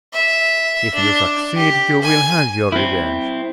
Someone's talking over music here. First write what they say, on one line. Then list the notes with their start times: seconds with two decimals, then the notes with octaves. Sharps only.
If you succeed, you will have your revenge.
0.13 E5
0.95 D4
1.56 G4
2.01 G#5
2.72 C4 E4